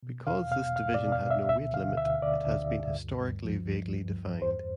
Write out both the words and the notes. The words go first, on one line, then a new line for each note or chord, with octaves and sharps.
Because this division had no weight limit, it has been historically vaguely defined.
B2
E2 F5
B2 F5
E2 F5
D5
B2
F5
B2
E5
D2 E5
D3 F5
D2 E5
D3 D5
D2
D2
G2
G2
F3
G2
G2
G2
E2 C5